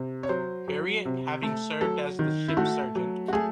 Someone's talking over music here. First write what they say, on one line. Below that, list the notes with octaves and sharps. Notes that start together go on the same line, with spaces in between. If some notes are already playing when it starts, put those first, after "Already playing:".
Harriet, having served as the ship's surgeon.
Already playing: C3
C#5
F#3 C5
F#3
C3
A3
F#3 A4
D#3
E4
A3 F#4
F#3
F#4
A3 G#4